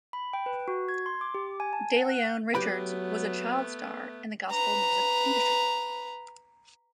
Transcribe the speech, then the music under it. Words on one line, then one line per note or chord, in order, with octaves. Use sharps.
DeLeon Richards was a child star in the gospel music industry.
B5
G5
B4
F#4
G#6
C6
D6
G4
G#5
A5
F#5
F#6
F#3 A3 B3 G4 B4 B5
B4 A#5